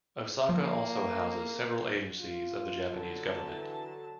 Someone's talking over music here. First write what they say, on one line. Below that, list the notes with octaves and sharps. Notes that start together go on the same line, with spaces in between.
Osaka also houses several agencies of the Japanese Government.
F3 A#3
F4
D3 F#3 A5
E3